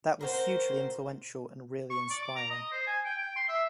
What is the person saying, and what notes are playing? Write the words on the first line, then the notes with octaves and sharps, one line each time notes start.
That was hugely influential and really inspiring.
C4 F#4 A#4 C5
C#6
D5
D6
A#5
D#5
C5
G#5
G5
G5
C6
E5